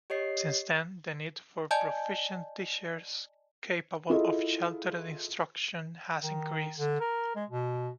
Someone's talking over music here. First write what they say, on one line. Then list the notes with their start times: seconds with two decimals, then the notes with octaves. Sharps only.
Since then the need for proficient teachers capable of sheltered instruction has increased.
0.10 G4 C#5 D#5 C7
1.71 D5 D#5 G#5 A5 G6
4.10 E4 F4 G#4 A4 D#5
6.23 D#3
6.77 D3
7.00 A#4
7.36 G#3
7.50 B2